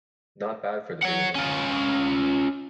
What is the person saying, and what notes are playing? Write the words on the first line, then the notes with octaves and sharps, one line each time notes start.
Not bad for the beginning.
C#5 F#5
C#4 F4